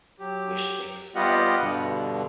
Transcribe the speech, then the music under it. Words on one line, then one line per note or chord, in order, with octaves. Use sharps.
wish things, uh,
F#3 G4
G3 B3 F4 G4 D#5 F#5
G2 B2 D3